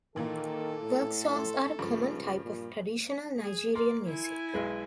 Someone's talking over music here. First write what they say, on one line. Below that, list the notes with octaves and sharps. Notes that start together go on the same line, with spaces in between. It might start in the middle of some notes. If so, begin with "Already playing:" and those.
Work songs are a common type of traditional Nigerian music.
A#2 D#3 E3 A#3 A4
A2
A3 C6
C#2 G2 F3
A#2
G#4
A#4 D5 C6
E4 G#5
B1 G#3 B4